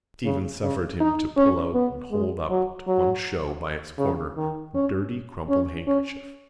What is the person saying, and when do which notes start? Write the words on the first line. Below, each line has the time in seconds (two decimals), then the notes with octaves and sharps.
Stephen suffered him to pull out and hold up on show by its corner a dirty crumpled handkerchief.
0.25 C#3
0.63 C#3
1.00 D#4
1.37 C#4
1.74 B3
2.12 G#3
2.50 F#3
2.88 F#3
3.99 C#3
4.37 D#3
4.75 C#4
5.50 C#4
5.87 C#4